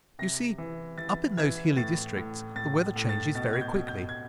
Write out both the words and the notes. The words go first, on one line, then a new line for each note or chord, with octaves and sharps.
You see, up in those hilly districts, the weather changes very quickly.
C3 A#6
E3
E3 A6
E3 G#6
A2 A6
A2
A2 A6
A2
A6
B2 A6
G#6
G6
B2
G6
G#6